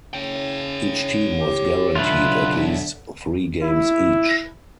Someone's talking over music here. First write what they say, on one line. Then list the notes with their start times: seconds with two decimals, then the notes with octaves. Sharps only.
Each team was guaranteed at least three games each.
0.14 C#3 C#5 G5
1.39 G4
1.95 B1 D3 F4 B4 E5
3.62 E4